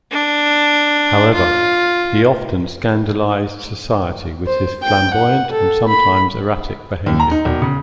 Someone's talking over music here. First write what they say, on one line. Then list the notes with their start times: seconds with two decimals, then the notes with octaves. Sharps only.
However, he often scandalized society with his flamboyant and sometimes erratic behavior.
0.11 D4
1.34 F4
4.47 C5
4.83 G5
5.14 F#5
5.52 A4
5.88 B5
7.06 D#2
7.20 A#5
7.31 D#4
7.45 E1
7.62 C#3